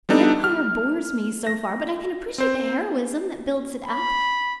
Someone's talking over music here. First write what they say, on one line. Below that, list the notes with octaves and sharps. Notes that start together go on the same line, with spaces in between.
An Empire bores me, so far, but I can appreciate the heroism that builds it up.
G3 B3 D4 D#4 A4
F6
A#6
C4 C5
B5